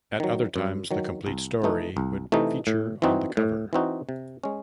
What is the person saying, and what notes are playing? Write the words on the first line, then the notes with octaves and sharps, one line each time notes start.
At other times the complete story would feature on the cover.
D#3 F#3
F#2
D#3 F#3
C2
C3 E3 A3 D#4
C2
C3 E3 A3 D#4
A2
E3 C4 D#4 F#4
A2
E3 C4 D#4 F#4
C3
G#3 C#4